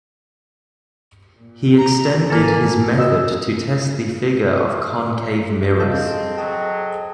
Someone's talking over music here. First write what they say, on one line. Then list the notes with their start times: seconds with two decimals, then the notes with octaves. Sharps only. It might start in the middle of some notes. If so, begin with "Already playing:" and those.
He extended his method to test the figure of concave mirrors.
1.36 A#2
1.78 A#5
2.30 G#1 A#3 A4 G#5
2.97 F#4 D#5 E6
5.79 C4 G#4 A4 C5 D#5 F5 A5 G6
6.38 F#3 G5 A5 D#6